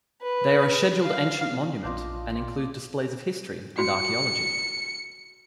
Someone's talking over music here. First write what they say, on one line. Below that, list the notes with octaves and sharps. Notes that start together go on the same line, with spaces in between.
They are a scheduled ancient monument and include displays of history and archaeology.
B4
F5
A#1 D4 F4 D#5
F#4 C#7